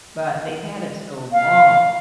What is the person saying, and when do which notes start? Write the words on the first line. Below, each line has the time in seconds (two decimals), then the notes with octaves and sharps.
but they've had it so long.
1.32 F5